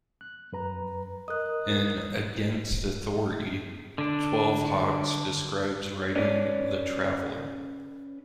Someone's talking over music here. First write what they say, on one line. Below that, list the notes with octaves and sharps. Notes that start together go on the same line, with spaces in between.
In "Against Authority", Twelve Hawks describes writing "The Traveler".
F#6
F#2 B4 A#5
A#4 D#5 D#6 F#6
D3 D4
C#4 B4 C#5 D5